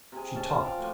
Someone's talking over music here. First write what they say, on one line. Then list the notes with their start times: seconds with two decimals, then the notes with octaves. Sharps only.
She talked.
0.12 C3 G#4
0.35 C#4 A5
0.49 F4
0.61 C5 F5 G5 D6
0.77 A2 F3 F#4